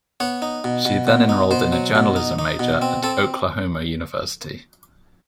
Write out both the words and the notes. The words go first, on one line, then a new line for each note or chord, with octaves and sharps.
She then enrolled in a journalism major at Oklahoma University.
B3 C#5
D#4
B2
B2
B2
D#4
B2 C5
F#3
B2
D#4
D#4
B2
C4
C4 A4